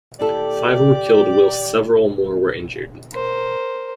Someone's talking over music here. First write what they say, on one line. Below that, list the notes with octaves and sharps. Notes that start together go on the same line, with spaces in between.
Five were killed whilst several more were injured.
D#2 E4 G4 A4 D5
A#4 C5